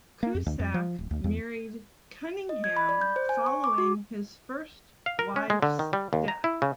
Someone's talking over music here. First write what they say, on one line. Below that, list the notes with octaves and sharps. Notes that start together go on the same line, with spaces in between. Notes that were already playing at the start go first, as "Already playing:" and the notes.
Cusack married Cunningham following his first wife's death.
A#3
F2
D2
F2
F3
D1
D2
E2
D#5
G#6
B5
D5
G6
C5
G#5
C#6
D6
F#4
F5
A#4
C#4
G#3
D3
D#3
G3
D#2
A#5
E4
C#3